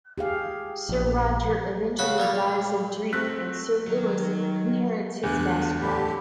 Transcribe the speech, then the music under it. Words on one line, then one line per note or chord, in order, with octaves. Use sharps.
Sir Roger eventually dies of drink and Sir Louis inherits his vast wealth.
G4 G#4 F5
A#1
C#3 F#4 B5
A#2 G3 C#5
A3 C4 F#6 B6
D#3 F#3
E2 D3 A3 D4 F#6
D2 A2 D3 G4 A5 B5